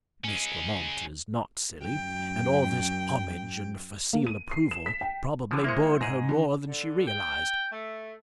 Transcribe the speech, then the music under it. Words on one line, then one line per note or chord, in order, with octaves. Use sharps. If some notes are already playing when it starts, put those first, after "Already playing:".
Miss Grammont is not silly and all this homage and facile approval probably bored her more than she realized.
G#3 C#4
F#2 G5
A#3
D#7
C7
E7
B6
G5
D3 E3 F3
G#3 A#3 E4 C5 C#7
G#2 G#4 A#6
D3
D3
G5
A3